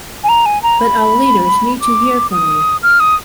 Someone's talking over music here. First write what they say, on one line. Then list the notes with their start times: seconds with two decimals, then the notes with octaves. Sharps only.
But our leaders need to hear from you.
0.24 G#5
0.29 A#5
0.46 G#5
0.63 A#5
0.80 B5
1.81 D6
2.31 D#6
2.83 F6
3.00 D#6